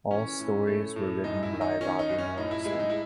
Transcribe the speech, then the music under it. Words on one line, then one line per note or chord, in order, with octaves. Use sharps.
All stories were written by Robbie Morrison.
E3 C#4
A2
A3
A2
F#2 D#4
E4
D#3
D#4
D#3 C#4
D#4
F#2
C#4
A2 D#4
E4
G#3 E4
D#4
E4